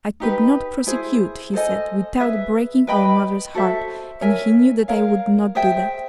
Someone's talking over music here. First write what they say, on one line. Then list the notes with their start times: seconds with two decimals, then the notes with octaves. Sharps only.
I could not prosecute, he said, without breaking our mother's heart, and he knew that I would not do that.
0.20 D#4 G4 B4
0.87 E4 G#4 C5
1.53 A4 C5 D#5 G#5
2.20 G#4 B4 E5
2.87 B4 D#5 G5 B5
3.55 F#4 A4 C5 E5
4.21 A#4 C#5 E5 G#5
4.88 A#4 C#5 F5
5.55 G#4 C5 E5 G5